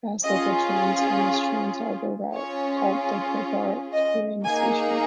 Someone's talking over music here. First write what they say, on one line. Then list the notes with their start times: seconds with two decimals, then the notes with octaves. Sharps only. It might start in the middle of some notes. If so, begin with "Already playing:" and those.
Fast local trains on this trans-harbour route halt at Kopar Khairane station.
0.24 C#4 F4 G#4 D#5
2.34 C#4 F4 G#4 C#5
3.92 D#5
4.45 A#3 D#4 G#4 G#5